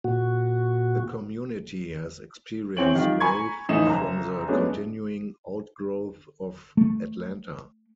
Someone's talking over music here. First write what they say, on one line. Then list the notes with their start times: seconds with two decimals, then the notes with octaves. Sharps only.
The community has experienced growth from the continuing outgrowth of Atlanta.
0.04 A#2 F#4
2.77 E2 E3 C4 C#5 D7 F#7
2.95 D#3 G3 F4
3.20 G#5 A#5 B5 C#6 G#6
3.69 E1 A2 E3 D#4 E5 E7
3.86 F#1 A#5
4.48 F#3 G#3 A3 B3 C#4 D4
6.77 A3